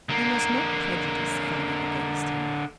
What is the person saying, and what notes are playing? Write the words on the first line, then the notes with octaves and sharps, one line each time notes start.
You must not prejudice Fanny against him.
D3 A#3